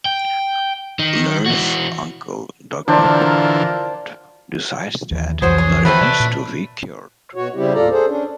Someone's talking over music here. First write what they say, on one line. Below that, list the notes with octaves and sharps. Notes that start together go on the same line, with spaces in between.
Larry's uncle, Doctor Paul Abbot, decides that Larry needs to be cured.
G5
D#3
E3 F#4
D3 E3 D4 F4 A#4 C5 D5
D#2 E3
C2 F2 E3 F#3 F#4 G#4 C5
C#5
F2 D#3 E3 F#3 A3 C4 B4 B5
C3 D5 A5
A#2
B2 F#4 C#5
C#3 G3 C4 E4 G4
D#2 A2 F4 A4 D5 A#5
G#4 A4 C5
C#4 D4